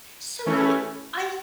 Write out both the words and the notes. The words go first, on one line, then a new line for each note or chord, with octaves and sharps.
so, I I
E3 A3 C#4 E4